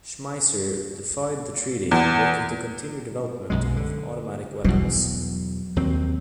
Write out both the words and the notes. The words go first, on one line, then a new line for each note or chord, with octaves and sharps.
Schmeisser defied the treaty, working to continue development of automatic weapons.
E2
B1 F#2 G#3
D3
E2 B2 F#3
D#2 F#3 C4